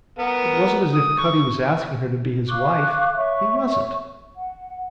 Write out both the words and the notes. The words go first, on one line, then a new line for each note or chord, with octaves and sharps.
It wasn't as if Cutty was asking her to be his wife; he wasn't.
B3 A#4 F#5
D#6
C#6
F5 C#6 D6 F#6
C#5 E5 C#6
F#5